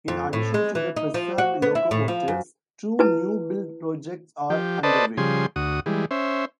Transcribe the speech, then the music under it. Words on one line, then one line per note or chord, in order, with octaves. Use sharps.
In addition to the preserved locomotives, two new-build projects are underway.
F2
A2
G#3
E3
D#4
F3
F#4
B3
E4
A2
F3
F#2
E4 B4 A5
F3 G4
A4 B4 C5 D5 D#5 A5
C#3 F3 G3 G#4 C6
D2 F#4 D#6
E3 G3 G#3
C#4 C5 E5